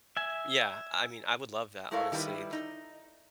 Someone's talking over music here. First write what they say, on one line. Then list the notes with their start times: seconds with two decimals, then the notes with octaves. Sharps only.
Yeah. I mean, I would love that, honestly.
0.17 E5 G#5
1.91 G#3 A3 E4 A#4 C#5 F5
2.12 D#3 G3 A3 D#4 E4 B4
2.53 D#4